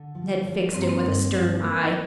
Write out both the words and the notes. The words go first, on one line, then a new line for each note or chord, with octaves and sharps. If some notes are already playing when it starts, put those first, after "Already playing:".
Ned fixed him with a stern eye.
Already playing: D3
F3
F3
G2 C4
A#3
C4
G2
G2
A#3